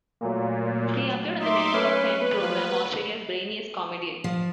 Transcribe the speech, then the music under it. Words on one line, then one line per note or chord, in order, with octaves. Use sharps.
He appeared on the Network Ten program "Australia's Brainiest Comedian".
A#2 F#3 A3 A#3
D#4 E5 C6 D6
C#4 B4
F3
F3